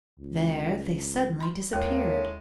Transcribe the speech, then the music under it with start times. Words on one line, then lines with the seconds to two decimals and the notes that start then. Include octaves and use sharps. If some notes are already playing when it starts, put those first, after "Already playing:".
There they suddenly disappeared.
0.19 C#2
1.40 B5 C6
1.73 D#2 A2 C#3 G#3 A#3